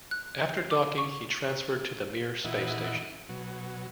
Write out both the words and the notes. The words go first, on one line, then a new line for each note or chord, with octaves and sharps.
After docking he transferred to the Mir Space Station.
F#6
C7
D6
C#6
A#2 E3 E4 D#5 F#5
B2 F#3